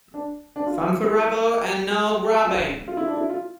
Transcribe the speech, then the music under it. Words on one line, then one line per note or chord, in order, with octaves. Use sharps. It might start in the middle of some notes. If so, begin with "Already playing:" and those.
Fun forever, and no grubbing!
D4
D4
F4
E4
F4
F4
E4
D4
E4
F4